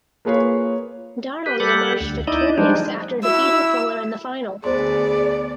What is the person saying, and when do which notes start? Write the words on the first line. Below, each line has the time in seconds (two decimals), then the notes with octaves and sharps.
Donnelly emerged victorious after defeating Fuller in the final.
0.25 A#3 F4 G#4 B4 C#5 F5
1.46 G4 B4
1.60 G3 G4 A4 F#5
2.01 D2
2.27 D#4 E4 D5 D#5
2.58 F3 G3 G#3 D4 D#4
3.23 E4 F#4 E6
4.64 D2 B3 G#4 C5 D5 C6